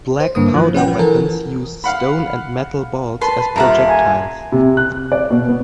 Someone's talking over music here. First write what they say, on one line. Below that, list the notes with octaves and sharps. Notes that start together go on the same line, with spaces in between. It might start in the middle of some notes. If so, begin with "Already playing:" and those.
Black-powder weapons use stone and metal balls as projectiles.
C5
G2 D3 A#3 B4 D#6
E3 F3 F#6
C#4 B4 F#5 G5
F3
E3 A4 A#4 G#5
F5 F#5 B5
B4 A5 C6
D#1 F4 A#4 E5 F#5
G#5
C3
F#6
D5
B2
B3